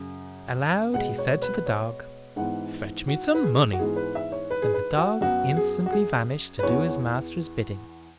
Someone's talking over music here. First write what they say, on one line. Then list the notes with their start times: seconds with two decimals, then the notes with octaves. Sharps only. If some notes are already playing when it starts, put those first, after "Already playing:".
Aloud he said to the dog, "Fetch me some money," and the dog instantly vanished to do his master's bidding.
Already playing: F#2 C#3
0.94 B2 G#3 B3 F#5
1.18 C#5
1.42 B4
1.66 C#5
2.36 G#2 E3 B3 F#5
3.08 F#4
3.35 B4
3.43 G#4
3.73 F#4
3.79 G#2 E3 G#3 B3 G#4
3.96 B4
4.15 E5
4.32 C#5
4.51 B4
4.62 G#4
4.74 B4
4.98 F#4
5.21 F#2 F#3 B3 F#4
5.57 G#4
5.86 F#4
5.92 G#4
6.59 B4
6.63 E2 E3 B3 C#5